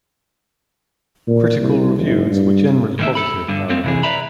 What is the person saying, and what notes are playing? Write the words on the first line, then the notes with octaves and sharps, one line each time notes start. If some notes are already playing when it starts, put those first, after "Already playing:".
Critical reviews were generally positive, however.
A#2
C2
F#1
G2
A2 D#3 A3 A#3 E5
A4 B5
G2 D3
A3 A#3 C4 F4
C3 E3 G#4
B4 D5 E5 A#5 B5